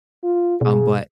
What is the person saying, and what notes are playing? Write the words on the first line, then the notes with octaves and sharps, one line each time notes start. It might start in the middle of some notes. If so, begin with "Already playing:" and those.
um, but
F4
B2 G#4